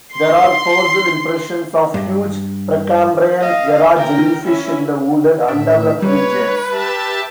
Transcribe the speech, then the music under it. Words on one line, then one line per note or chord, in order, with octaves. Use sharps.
There are fossil impressions of huge Precambrian Era jellyfish in the wooded, undeveloped regions.
C6 C7
G2
D#5 F5
A#4 G5
C#4 E4
A2 D4 E5
G3 B4 C#5
G4 E5 A5